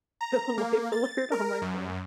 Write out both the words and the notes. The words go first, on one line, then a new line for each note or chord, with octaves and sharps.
Life alert on my phone.
A#5
A#3
A6
A#4
F#2